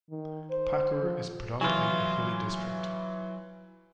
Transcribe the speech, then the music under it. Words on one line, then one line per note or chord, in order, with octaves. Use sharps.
Pakur is predominantly a hilly district.
D#3
C5
F3
E3 F#3 E4 F4 G#5